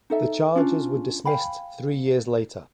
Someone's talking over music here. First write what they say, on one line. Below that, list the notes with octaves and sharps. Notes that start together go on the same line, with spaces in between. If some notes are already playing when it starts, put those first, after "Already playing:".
The charges were dismissed three years later.
D#4 A4 E5
C#4 D4 F4
F5 G5 G#5 B5